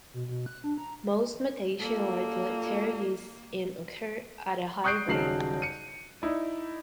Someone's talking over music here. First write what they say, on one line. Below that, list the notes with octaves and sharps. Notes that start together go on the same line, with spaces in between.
Most mutations are deleterious, and occur at a high rate.
B2
B2
F#6
D4
A#5
F#2 G3 A#3 F4 A4
C#6 D#6 F#6 G6 C7 D7
D#1 C#3 F#3 D#4 C7 F#7
C#7 D#7
D#4 E4 D5